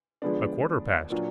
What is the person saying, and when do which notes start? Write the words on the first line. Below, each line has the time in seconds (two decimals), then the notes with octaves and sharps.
A quarter past.
0.22 D3 F3 G#3 B3 D4
1.10 A#2 F#3 D4 F4